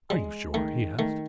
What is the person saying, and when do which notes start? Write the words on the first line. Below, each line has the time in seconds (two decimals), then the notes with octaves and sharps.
"Are you sure?" he asked.
0.10 G3 G#3
0.54 D#3 A3
0.99 D#3 A3